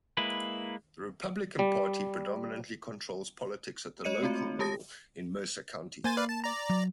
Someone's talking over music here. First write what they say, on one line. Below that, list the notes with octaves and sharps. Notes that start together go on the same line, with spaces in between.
The Republican Party predominantly controls politics at the local level in Mercer County.
G#3 A#3 E4 B4
G3
G#3 C#5 D#5 C#7 D#7
A3 C4 F4 F#4
G#3 G4 A5 D#6 A#6
A#3 C5 G#5 A6
B4 D5 F5
A5
D5 A#5
F#3